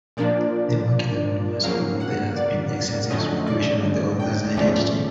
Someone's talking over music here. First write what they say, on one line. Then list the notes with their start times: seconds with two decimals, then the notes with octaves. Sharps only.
The work is anonymous, although there has been extensive speculation on the author's identity.
0.17 A#2 F3 A#3 D4 D5
1.63 F2 C#3 F#3 A#3 F5
2.00 F#5
2.36 D5
3.10 F2 D3 F#3 A3 C#4 D#5
3.47 D5
4.20 G5
4.56 E2 C#3 F3 A3 C#4 D5